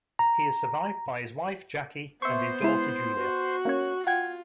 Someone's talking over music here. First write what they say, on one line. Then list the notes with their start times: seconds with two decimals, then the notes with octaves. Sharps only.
He is survived by his wife, Jaquie, and his daughter, Julia.
0.19 A#5
2.22 B3 C5 E5 C6 C#6
2.62 G#3 E4
3.18 F#4
3.65 A#3 C#4 C#5
4.07 F4 F#5 G5 G#6